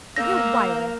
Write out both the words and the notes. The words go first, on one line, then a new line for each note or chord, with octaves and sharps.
But you're wiry.
A#3 F5 A#5 E6 G6 A#6